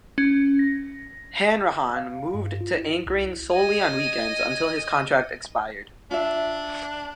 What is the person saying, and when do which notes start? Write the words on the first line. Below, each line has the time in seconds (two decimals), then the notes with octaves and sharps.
Hanrahan moved to anchoring solely on weekends until his contract expired.
0.18 C#4
0.59 A#6
1.96 F5
2.34 G2
2.61 F4
2.77 E4
3.06 C2
3.52 D#5 G#5
6.11 D4 F4 E5